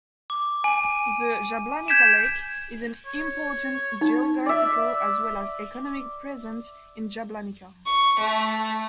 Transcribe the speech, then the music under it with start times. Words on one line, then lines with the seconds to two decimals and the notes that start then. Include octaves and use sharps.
The Jablanica lake is an important geographical as well as economic presence in Jablanica.
0.30 D6
0.64 G#5 D#7
1.88 G6 G#6 B6 D7 E7
3.06 C#5
4.01 D#4
4.46 D5 E5
7.86 C#6
8.19 A3